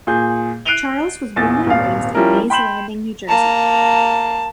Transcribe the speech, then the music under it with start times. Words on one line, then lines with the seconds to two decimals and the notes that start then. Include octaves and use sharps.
Charles was born and raised in Mays Landing, New Jersey.
0.07 A#2 G#4 G6
0.65 F#6 C7 D7 D#7 F7 G7
1.36 A#1 E2 A6
1.67 D#1 G#1 F5
2.15 F3 G3 C#4 E4 A#4
2.50 G5 B5 C6 G6 E7 F#7
3.28 A#3 A5 A#5